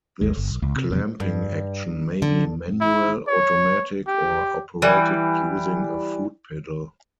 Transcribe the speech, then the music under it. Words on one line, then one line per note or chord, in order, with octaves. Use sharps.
This clamping action may be manual, automatic or operated using a foot pedal.
G#1 D#2 G#3
G1
B1
C#2
C3
F2 A2 C3
G2
D3
E4
C#5
G4
E3 G3